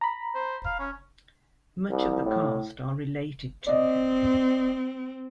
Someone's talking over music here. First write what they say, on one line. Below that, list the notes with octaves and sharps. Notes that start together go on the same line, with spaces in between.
Much of the cast are related to him.
A#5 B5
C5
F5
C#4
C2
A2
C4 D5 D#5